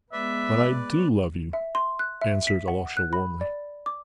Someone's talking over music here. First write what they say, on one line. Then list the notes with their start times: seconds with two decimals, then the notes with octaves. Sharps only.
"But I do love you!" answered Alyosha warmly.
0.12 G#3 B3 B4 D5 E5
1.53 E5
1.75 C6
1.99 F#6
2.21 E5
2.47 B6
2.68 F#5
2.97 F#6
3.13 B5
3.41 D5
3.86 D6